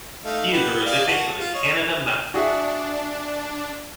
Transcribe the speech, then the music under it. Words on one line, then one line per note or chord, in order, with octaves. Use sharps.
He is a recipient of the Canada Medal.
A3 D#4 F5
G4 B4 F#5
D5 D#5 F5
F#4 F#5 A5
F4
C#5 D#5
D4 F#4 G#4 E5